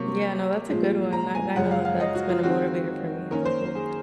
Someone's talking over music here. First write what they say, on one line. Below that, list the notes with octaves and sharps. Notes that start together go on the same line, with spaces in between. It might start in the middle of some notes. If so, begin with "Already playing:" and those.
Yeah, no, that's a good one. I I know that that's been a motivator for me. I was like, "Well,
Already playing: C3 F#3 A#3 C#6
A#2 F3 G#3
A#5
G#5
F#2 C#3 F3 G#3 F#5
F5
F5
D#5
F#4
F4
D#3 G#3 C4 F#4
D#3 A#3 C#4 A#4
C5
G#4